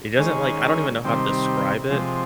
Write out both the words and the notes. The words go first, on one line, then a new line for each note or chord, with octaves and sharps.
it doesn't like, I don't even know how to describe it,
D#3 G#3 C#4 G#4
C3 D#3 G3 C4
C3 F3 G#3